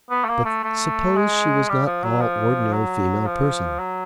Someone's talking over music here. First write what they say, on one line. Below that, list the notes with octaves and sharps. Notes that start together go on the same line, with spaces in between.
But suppose she was not all ordinary female person....
B3
A3
A#3
A3
A3
G#3
G3
F3
F#3
F3
F#3
F3
F#3